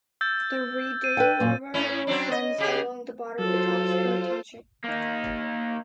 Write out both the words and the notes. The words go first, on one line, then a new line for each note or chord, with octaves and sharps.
The Rideau River runs along the border with Oxford Township.
E6 G6 A6
D#7
B4 E5 G5
F#2 A#2
A2 C#4 E4
F#3 C4 D4
D#5
C#3 G4 G#4
F#3 F4 A4 C5
A#3 D#4